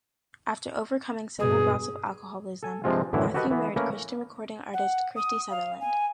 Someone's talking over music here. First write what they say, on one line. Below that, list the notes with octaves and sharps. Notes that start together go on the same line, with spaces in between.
After overcoming several bouts of alcoholism, Matthew married Christian recording artist Christy Sutherland.
G2 B2 G#4
A4 G#5
G2 C3 F3 G#3 C4 F4
F#2 A2 D3 E3 E4
F#4 G4 A4 B4 D#5 F#5
E3 B3
A3 A#3 C#4 A#4 B4
F#5
D#6
F5
G#5